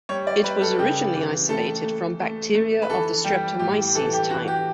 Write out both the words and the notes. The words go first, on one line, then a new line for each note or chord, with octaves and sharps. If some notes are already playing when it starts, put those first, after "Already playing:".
It was originally isolated from bacteria of the "Streptomyces" type.
G3 C#5
D5
G3 B4
A4
C#3 G4
E3
A3 A4
A3
A3
A3
B4
E3 A4
G3 G4
A2 G4
E3 A4
G4
E3 F#4
G4